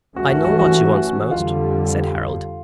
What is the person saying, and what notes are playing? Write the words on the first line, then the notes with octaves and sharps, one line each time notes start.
"I know what she wants most," said Harold.
G2 E3 A3 C#4 F#4
F#4
F#4
F#4
F2 D3 G3 F4